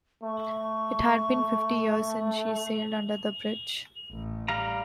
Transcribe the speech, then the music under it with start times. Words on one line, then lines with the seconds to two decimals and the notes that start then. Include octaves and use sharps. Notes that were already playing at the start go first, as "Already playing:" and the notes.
It had been fifty years since she sailed under the bridge.
0.23 A3 C#6
4.12 A1
4.48 G3 F5 A#5